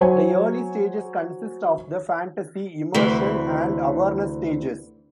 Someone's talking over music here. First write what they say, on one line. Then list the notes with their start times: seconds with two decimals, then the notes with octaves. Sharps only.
The Early stages consist of the Fantasy, Immersion, and Awareness stages.
0.01 F#3 C5 C#5 G#5
2.94 D2 C3 E3